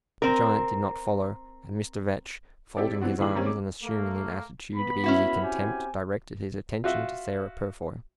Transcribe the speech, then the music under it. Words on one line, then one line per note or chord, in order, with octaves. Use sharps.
The giant did not follow; and Mr. Vetch, folding his arms, and assuming an attitude of easy contempt, directed his attention to Sarah Purfoy.
C4 A#4
C4 E4 G4 A4 D5
E3 B3 C4 D4 F#4
D#2 A2 D#3 E4 G#4 F#7
D#3 G3 A#3 C4 C#4
D6
A3 A#3
B3 B5
C#4 E4 F#4
C4 G4 G#5
F4 F#4 E5